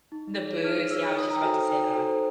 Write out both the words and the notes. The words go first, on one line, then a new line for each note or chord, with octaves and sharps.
The boots, yeah, I was just about to say that.
D#4
G#4 C#5
D#4 F6
G#4 C#5 E6
D#4 D#6
A#5
G5
F#4 A4 C5 G#5
G#5
D#4 G5
F#4 A4 C5